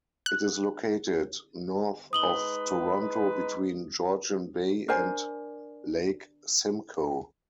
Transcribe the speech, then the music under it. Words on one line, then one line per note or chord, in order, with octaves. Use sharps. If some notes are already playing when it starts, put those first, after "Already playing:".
It is located north of Toronto between Georgian Bay and Lake Simcoe.
F#6
G#3 D#4 B4 D#6 F#7 G7
D4 A#4 C5 G#5